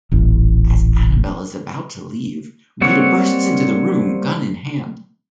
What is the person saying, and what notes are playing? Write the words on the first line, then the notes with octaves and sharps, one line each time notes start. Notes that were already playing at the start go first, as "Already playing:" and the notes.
As Annabel is about to leave, Rita bursts into the room, gun in hand.
D#1 A1
G3 A#3 C4 C#5 F#5